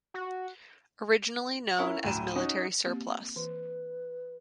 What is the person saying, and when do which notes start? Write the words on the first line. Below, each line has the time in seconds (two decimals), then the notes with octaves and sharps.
Originally known as 'Military Surplus'.
0.14 F#4
1.78 C#4 E4 A#4 C#6
2.04 D2 A2 A#5 D#7 E7
2.35 C#4 D#4 F#4
2.86 A#3 C4 G4
3.36 E3 B4